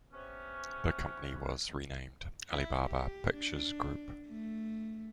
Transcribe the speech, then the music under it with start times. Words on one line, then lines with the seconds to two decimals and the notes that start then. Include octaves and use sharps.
The company was renamed Alibaba Pictures Group.
0.12 C3 B3 C#4
2.51 E4
2.86 G4
3.33 D4
4.28 A3